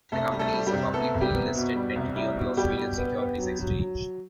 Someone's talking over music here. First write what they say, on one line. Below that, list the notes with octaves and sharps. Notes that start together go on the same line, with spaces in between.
The company is a publicly listed entity on the Australian Securities Exchange.
C2 A3 A4
G3
A3 A4
G3
G3 G4
C2
A3 B3 A4
C2
G3 G4
B3
B2
G3
C2
G3 E4
B2
B2 G3 G4
G3
B3
B3
F#3
F#3
F#3